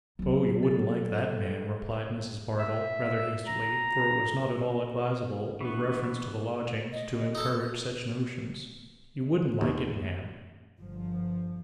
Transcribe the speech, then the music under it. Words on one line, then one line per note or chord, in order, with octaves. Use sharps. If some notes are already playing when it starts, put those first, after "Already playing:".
'Oh, you wouldn't like that, ma'am,' replied Mrs. Bardell, rather hastily; for it was not at all advisable, with reference to the lodgings, to encourage such notions; 'you wouldn't like it, ma'am.'
F#3 G3
A4
E5
A#5
D2 E3 B3 C#6
D#5
D#4 A4
D#2
G1 F3